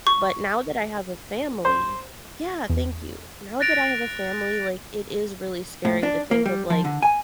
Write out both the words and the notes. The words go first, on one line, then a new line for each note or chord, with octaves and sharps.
But now that I have a family Yeah, thank you. Now that I have a family, like, it is really scary to think of, like
C#6
C5
E2
F#6 A6 A#6 D7 F7
A2
D4
A#3
G3
F3
D3
G#5